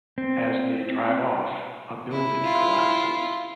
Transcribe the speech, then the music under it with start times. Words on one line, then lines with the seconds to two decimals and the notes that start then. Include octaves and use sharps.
As they drive off, a building collapses.
0.18 C4
2.12 E4
2.44 F4